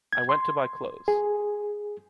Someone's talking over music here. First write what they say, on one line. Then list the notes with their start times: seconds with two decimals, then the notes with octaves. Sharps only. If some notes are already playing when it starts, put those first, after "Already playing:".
I went to buy clothes.
0.13 G#6
0.29 C6
1.08 G#4